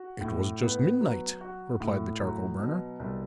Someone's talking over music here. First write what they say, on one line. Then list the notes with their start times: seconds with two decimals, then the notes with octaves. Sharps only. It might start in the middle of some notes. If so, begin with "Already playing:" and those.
"It was just midnight," replied the charcoal burner.
Already playing: F#4
0.21 A2
0.62 B3
1.01 F#3
1.41 F#4
1.80 A2
2.20 F#3
2.60 B2
3.00 C2